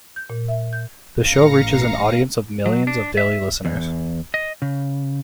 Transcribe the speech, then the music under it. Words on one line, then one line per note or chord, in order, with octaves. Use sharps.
The show reaches an audience of millions of daily listeners.
G6
A#2
E5
G6
A1 F5 A#5 A#6 C#7
F#3
D4
E5
E2
D#5
C#3